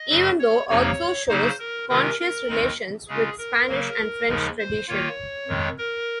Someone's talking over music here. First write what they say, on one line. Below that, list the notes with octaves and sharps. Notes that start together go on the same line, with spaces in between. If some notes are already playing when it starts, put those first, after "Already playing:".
Even though, also shows conscious relations with Spanish and French tradition.
Already playing: D#5
F#2 C#3 F#3
C#5
F2 C3 F3 A#3 D#4 C#5
C#3 F#3 A#3 D#4 C5
A#4
C3 D#3 G#3 C#4 F4 A#4
A#4
D#2 D#3 G#3 C4 D#4
C#3 G#3 C#4 F4 G#4
A#4
C#3 F#3 A#3
D#2 C#3 F3 G#3 D#4
C5
D#3 A#3 F4 C#5
F2 D#3 G#3
A#4